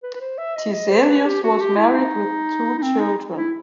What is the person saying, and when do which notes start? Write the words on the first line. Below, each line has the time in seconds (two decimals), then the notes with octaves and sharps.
Tiselius was married, with two children.
0.03 B4
0.15 B4
0.21 C5
0.38 E5
0.56 D#5
0.73 D#5
0.90 C5
1.08 B4
1.25 G4
1.43 F#4
1.60 G4
1.78 E4
1.96 D#4
2.78 D#4
2.83 C4
3.00 D#4
3.36 E4